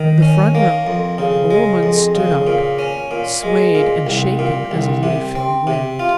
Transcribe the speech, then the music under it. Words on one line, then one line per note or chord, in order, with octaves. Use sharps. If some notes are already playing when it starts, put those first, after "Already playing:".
In the front row a woman stood up, swayed and shaken as a leaf in the wind.
Already playing: D#3
C#4
A#3
F2
C#3
G#3
F2
C#3
A#2
C#4
A#2
G#3
A#2
C2
A#2
C2
C3
C4
C3
F4